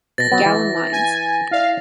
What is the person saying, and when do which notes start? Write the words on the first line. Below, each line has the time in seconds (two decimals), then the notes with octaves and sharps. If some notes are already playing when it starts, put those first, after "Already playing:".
Gallen lines.
0.18 B2 A6 A#6
0.31 F#3 B3
0.46 E3
0.92 G#5
1.51 E4 D5 F5